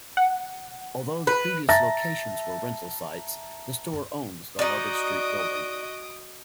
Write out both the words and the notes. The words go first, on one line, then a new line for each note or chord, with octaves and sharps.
Although the previous locations were rental sites, the store owns the Harbord Street building.
F#5
B4
E5 A5 A#5 A6 A#6
D#4 F#4 D5 D#5 D#6 D7